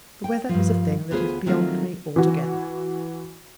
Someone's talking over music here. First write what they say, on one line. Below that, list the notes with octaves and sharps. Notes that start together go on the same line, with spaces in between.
The weather is a thing that is beyond me altogether.
G5
G2 F3
D2 B3 F4 G#4 A#4 C5
D#3 F#3 A3 C4 F4 F#4
E3 F#4